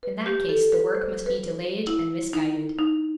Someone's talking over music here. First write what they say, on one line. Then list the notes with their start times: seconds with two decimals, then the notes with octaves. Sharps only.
In that case the work must be delayed and misguided.
0.03 B4
0.26 G4
0.49 A4
0.72 B4
0.95 C5
1.26 B4
1.87 E4
2.33 D#4
2.79 D#4